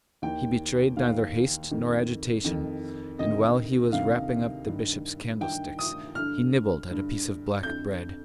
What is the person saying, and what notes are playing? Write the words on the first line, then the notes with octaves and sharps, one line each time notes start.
He betrayed neither haste nor agitation; and while he was wrapping up the Bishop's candlesticks, he nibbled at a piece of black bread.
D#2 D#3 G5
D#2 D#3 F5
F2 D#3
F2 D#3
D2 C3 D#3 D#5
D2 C3 D#3 F5
G2 D#3
G2 D#3 G5
D#6
G2 D3 F6
G2 D3
F2 D3 G6